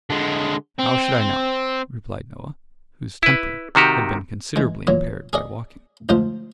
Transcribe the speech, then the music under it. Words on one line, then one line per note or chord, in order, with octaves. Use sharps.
'How should I know?' replied Noah, whose temper had been considerably impaired by walking.
D3 G#3
C4
E4 B4
C3 D#3 F#4 G4
E3 G#3
A#2 E3 F#3
G#4 D5 D#5
D2 G#2 F3 F4 C5